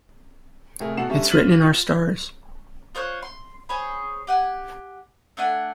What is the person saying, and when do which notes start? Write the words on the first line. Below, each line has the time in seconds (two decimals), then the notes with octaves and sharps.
Its written in our stars.
0.80 F1 F2 A3 G#4 A#4
0.97 E2 B2 A4 F#5 C7 E7
1.10 G3 C#4 D4 A4 C#5 E5
1.31 F6 A6 B6 D#7 F#7
1.44 F4
2.95 F4 C5 C#5 F#6
3.22 C6
3.69 G#4 C5 C#5 B5
4.27 G4 F#5 G#5
5.37 A3 D4 F#5 G#5